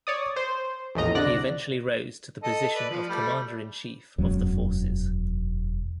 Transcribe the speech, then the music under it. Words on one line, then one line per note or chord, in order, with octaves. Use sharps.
He eventually rose to the position of Commander-in-Chief of the Forces.
C#5 D5 D#6
C5
A#1 E2 A2 D#5 A#5
C2 D3 D5 F#6 A#6
A4 D#5
B4 D5
F3
G3 A3
E1 F#2 F#3